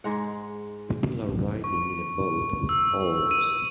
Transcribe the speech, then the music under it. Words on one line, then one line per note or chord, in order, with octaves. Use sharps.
People are riding in a boat with oars.
G#2 G#3 F#5
C#6
E6
D#7